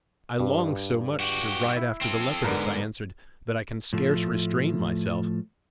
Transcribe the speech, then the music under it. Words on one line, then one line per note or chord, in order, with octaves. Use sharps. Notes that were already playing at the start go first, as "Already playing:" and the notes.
"I long so much to ride after the leopardess," I answered, "that I can scarce restrain myself!"
G2
F#4 G4
E4
C4 A4
G#2 D3 B3 A#4
A2 F3 A3